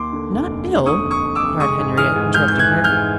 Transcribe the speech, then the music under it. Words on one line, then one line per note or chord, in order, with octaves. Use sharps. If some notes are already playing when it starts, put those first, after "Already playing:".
"Not ill?" cried Henriette, interrupting her.
Already playing: D#2 C6 D6
D3
F1
F1
F1
D3 C#6 D#6
F2
C#6 D#6
F2
D6 E6
F1
G#3 C#6 D#6
G#2
E3 D#6 F6
G#2
G#3 F6 G6
E3 G6
F#6 G#6
E3
F6 G6
G#2